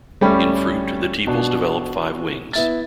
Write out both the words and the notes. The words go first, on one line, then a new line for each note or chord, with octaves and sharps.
In fruit, the tepals develop five wings.
D1 G3 A3 C#4 G5 B5
B2 D4
B3 E4 A6